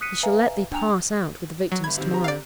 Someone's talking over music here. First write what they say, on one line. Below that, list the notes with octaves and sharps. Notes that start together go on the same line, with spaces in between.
He shall let thee pass out with the victims to-morrow.
D#6 F#6 B6 C#7 D#7
B4 E5 F5 G#5 A#5
D4 G5 G#5 A#5 F7
F#3
G1 B5 G#6
C3 D#3
C4 G4 A#5
D5 F5